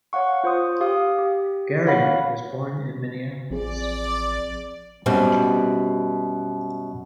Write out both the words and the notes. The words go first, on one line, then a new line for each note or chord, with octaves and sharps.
Garriott was born in Minneapolis.
C#5 F5 F#5 C#6
F4 C5 C6 D#6
G4 F5 D#6
G4
C#5 F5 F#5 B5
A1 F3 C4 G#4 D5
F#2 B2 G3 C4